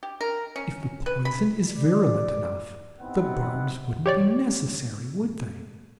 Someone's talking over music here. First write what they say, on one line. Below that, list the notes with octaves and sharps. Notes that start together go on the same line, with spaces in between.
If the poison is virulent enough, the barbs wouldn't be necessary, would they?
G4
A#4
C#4
B4
B5
D5
C3 B3 C4 D#4 E4 F#5
G4 C#5 D5